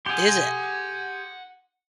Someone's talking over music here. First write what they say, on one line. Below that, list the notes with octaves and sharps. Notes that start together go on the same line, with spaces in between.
Is it?
G4 G#4 F#5 C6